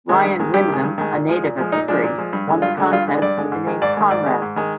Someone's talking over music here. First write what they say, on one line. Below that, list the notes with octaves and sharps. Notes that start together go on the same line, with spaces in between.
Ryan Windam, a native of Hickory, won the contest with the name Conrad.
D#3 G#3
G2
D#3 G#3
G2 G4
D#3
G#3
G2
D#3 G#3
A#2
F3 G#3
A#2
F3 G#3
A#2 D#4
F3 G#3 D4
A#2
F3 G#3
G2
D3 G#3
G2 F4
D3 G#3
G2 F4
D3 G#3
G2 D5
D3 G#3
G#2
D#3 G#3
G#2 D5
D#3 G#3
G#2 D5
D#3 G#3
G#2
D#3 G#3